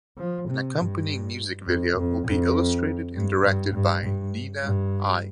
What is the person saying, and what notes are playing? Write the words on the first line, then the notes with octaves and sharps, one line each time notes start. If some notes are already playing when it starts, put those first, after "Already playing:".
An accompanying music video will be illustrated and directed by Niina Ai.
F3
C3
G2
F2
F2
F2
G2
G2
G2
G2
G2